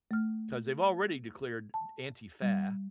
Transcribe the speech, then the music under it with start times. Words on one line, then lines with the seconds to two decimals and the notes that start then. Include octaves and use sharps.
'Cause they've already declared Antifa,
0.11 A3 F6
1.74 A5
2.42 G3